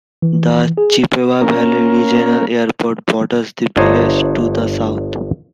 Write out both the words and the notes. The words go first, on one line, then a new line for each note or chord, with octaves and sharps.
The Chippewa Valley Regional Airport borders the village to the south.
E3
G#4
A#3 C#4 A#4
G1 D4 C5 C#5 D#5 A#5